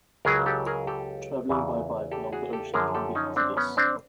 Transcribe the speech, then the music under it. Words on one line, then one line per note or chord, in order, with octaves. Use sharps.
Traveling by bike along the ocean can be hazardous.
C#2 C#3 F#3 G#4 A#4
G4 A4
G#4 A#4
G4 A4
E2 C#3 E3
G4 A4
F#4 G#4
G4 A4
F#2 D3 F3 G#4 A#4
G4 A4
C#4 D#4
C4 D4
B3 C#4
C4 D4